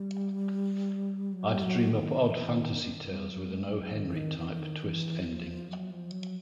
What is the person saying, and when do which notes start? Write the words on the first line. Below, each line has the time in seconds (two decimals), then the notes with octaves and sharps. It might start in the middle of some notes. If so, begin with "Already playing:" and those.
I'd dream up odd fantasy tales with an O. Henry type twist ending.
Already playing: G3
1.33 F#3
1.55 G3
1.62 F#3
1.91 D#3
2.20 D3
2.30 F3
2.40 E3
2.49 D#3
3.07 G3
3.29 F#3
3.50 G#3
3.72 F#3
3.93 D#3
4.09 E3
4.16 D#3
4.38 E3
4.53 E3
4.59 D#3
4.82 E3
5.19 F#3
5.24 F3
5.68 F#3
5.90 F3
6.12 F#3